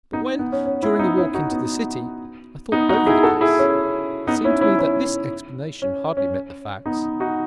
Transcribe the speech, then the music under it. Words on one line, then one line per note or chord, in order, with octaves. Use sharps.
But when, during a walk into the City, I thought over the case, it seemed to me that this explanation hardly met the facts.
B3 D#4
B3
C#4
C#4
C#4 E4
B3 D#4
C#4 E4
D#4 F#4
B3
B3 D#4
D#4 F#4
E4 G#4
F#4 A4
E4 G#4
C#4
B3 D#4
C#4 E4
C#4 E4
C#4 E4
C#4
C#4
B3 D#4
D#4 F#4